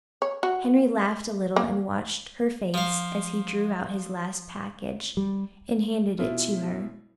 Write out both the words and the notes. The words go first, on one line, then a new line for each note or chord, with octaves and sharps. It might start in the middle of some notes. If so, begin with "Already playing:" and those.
Henry laughed a little, and watched her face as he drew out his last package and handed it to her.
C#5
F#4
A#3
F3 F5
G3
B2 E4 F4